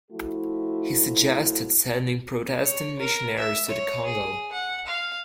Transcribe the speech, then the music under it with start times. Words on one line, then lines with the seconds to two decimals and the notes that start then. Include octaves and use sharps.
He suggested sending Protestant missionaries to the Congo.
0.11 F3 A3 E4 F#4
2.64 C#5
2.99 A#4
3.37 E5
3.69 C#5
4.05 G#4
4.52 F#5
4.86 F5